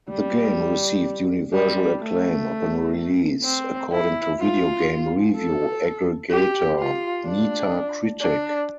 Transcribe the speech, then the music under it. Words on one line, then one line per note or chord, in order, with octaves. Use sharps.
The game received "universal acclaim" upon release according to video game review aggregator Metacritic.
G3
G3
A3
C4
E4
F4
A4
G4
F4
D4
D4